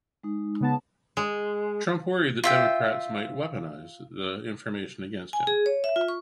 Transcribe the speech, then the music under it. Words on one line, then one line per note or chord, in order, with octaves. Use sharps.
Trump worried that Democrats might "weaponize" the information against him.
G#3 D#4
C#3 B3 A5
G#3
F4 E5 G5
G#5
G#4
C#5
E5
F4
C#6